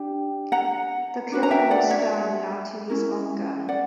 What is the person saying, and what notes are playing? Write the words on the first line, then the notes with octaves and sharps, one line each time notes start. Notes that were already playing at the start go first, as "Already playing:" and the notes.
The killing was done not to his own gun.
Already playing: D4 G4 G5
F#5 A#5
D4 F#4 B4
A#5
E5 G5
D5 F#5
C#5 E5
C#4 E4 A#4
D5 F#5